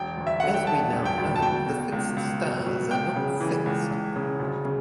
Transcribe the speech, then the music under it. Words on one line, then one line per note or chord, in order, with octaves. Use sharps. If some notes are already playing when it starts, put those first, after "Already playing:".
As we now know, the fixed stars are not "fixed".
Already playing: E1 G5
D2
E5
D3 F#5
G5
E1 A5
E1
G5
D2
A5
B2 G5
B2
C#2
C#2
B2
B2
C#2 G5
C#3
E3
C#2
C#2
C#3
D2
C#3